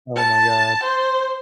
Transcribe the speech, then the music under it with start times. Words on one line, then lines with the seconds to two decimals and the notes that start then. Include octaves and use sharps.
Oh my god.
0.16 A5
0.83 C5